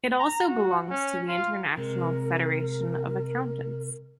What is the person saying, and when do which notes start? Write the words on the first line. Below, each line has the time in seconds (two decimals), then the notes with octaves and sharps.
It also belongs to the International Federation of Accountants.
0.19 A#5
0.48 F#4
0.90 C#4
1.28 F4
1.77 C3 G#3 A#4